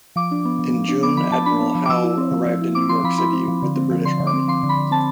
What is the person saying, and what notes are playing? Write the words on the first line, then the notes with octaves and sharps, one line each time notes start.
In June, Admiral Howe arrived in New York City with the British army.
F3 D6
D4
B3
F3
F3
D4
B3 D6
F3 B5
F3 A5
D4 B5
B3
F3
D6
F3 E6
E4
C4
F3
F3
E4
C4 D6
F3 C6
F3 B5
E4 B5
C4
F3
D3
C4
F3
D3 C6
D3
D6
C4
F3 C6
D3
B5
D3
C4 A5